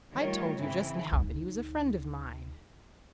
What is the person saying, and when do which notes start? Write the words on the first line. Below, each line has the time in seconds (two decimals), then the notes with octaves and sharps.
"I told you just now that he was a friend of mine."
0.11 D#3 G3 A3 F4 C#5
0.56 G#2 C#3 E3 C4 E4
1.11 D2 D#4